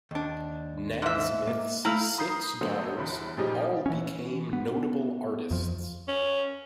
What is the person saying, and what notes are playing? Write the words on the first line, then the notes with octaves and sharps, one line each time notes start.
Nasmyth's six daughters all became notable artists.
D#2 D4
G#2 E5
A#3
A3 E4 F5 A#5
A#5 B5 D#6 G6 C7
D3 F#3 A3 B3 A4 C5
G1 E2 B5
A#2 C#3 F3 G3 D#4 G4
E3 C#4
B3
F2 F3
C#4